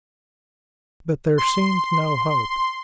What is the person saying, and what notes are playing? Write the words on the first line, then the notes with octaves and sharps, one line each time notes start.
But there seemed no hope.
C6